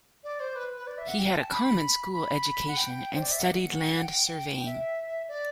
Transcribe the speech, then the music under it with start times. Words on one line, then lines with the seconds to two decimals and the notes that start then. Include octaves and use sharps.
He had a common-school education, and studied land surveying.
0.24 D5
0.40 C5
0.55 B4
0.76 B4
0.87 D5
0.98 E5
1.08 F#5
1.18 G5
1.34 A5
1.50 B5
2.13 B5
2.68 F#5
2.77 G5
3.13 C5
3.22 D5
3.31 E5
3.39 F#5
3.96 F#5
4.02 G5
4.66 E5
5.28 D5